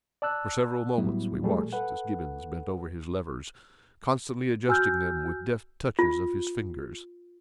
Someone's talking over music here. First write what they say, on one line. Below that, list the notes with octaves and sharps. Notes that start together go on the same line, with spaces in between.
For several moments we watched as Gibbons bent over his levers, constantly adjusting them with deft touches of his fingers.
D5 A5 E6 F#6
A2 F#3 G3 B3 E4
A#2 F3 G3 A3 G#4 A4
A4 B4 F#5
F#4 G#5 E6 F6 G6
F4